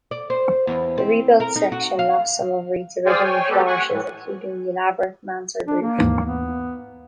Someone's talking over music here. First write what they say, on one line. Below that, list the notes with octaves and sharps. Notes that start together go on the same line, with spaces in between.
The rebuilt section lost some of Reed's original flourishes including the elaborate mansard roof.
D5
C5
E2
C4
A#4
D#4
F#4
F5
G#4 C5 D5 F5 G5 G#5
C#5 G5 G#5
G#3 B3 G4 A4
F#5 G#5 C#6
A2 E3
D4
A#3
D#2 G#2 E3
B3